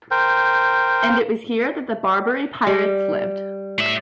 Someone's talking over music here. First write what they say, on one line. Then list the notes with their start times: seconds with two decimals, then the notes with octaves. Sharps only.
And it was here that the Barbary pirates lived.
0.11 A#4 C5 G5
2.67 G3
3.78 A2 E5